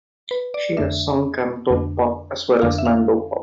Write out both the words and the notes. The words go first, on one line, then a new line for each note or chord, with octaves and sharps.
She has sung cantopop as well as mandopop.
B4
D5
F2 D3 A3 D4 E5
F2 D3 A3 D4
F2 D3 A3 D4 F5
E5
F5